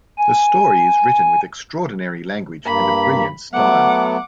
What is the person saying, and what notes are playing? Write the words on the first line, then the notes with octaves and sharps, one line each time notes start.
The story is written with extraordinary language and a brilliant style.
G#5
G2 A#3 B5
F#3 A3 B3 F#5 D6